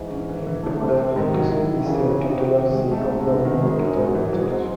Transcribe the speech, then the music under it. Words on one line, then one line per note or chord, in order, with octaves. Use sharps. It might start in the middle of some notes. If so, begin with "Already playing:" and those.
Hippo Diarrhytus is a titular see of the Roman Catholic Church.
Already playing: G#2 E3
C#4
E3
E3
A3
C3 A3
C4
G#2 D#3
F#3
D#3 E4
E3
C#3 E3
C4
C3 D#4
F#4
D#3
G#3
G#2 A3
C3
C3
D#3
F#2 G#3
D#4
G#2
E3
G#2 F#3
C4